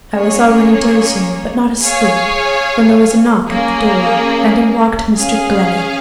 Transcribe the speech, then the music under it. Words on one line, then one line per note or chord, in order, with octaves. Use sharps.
I was already dozing, but not asleep, when there was a knock at the door, and in walked Mr. Glennie.
A#3 C#4 G#4 C#5
G#4 C#5 F5 G#5
A#3 C#4 G#4
C#4 G#4 F5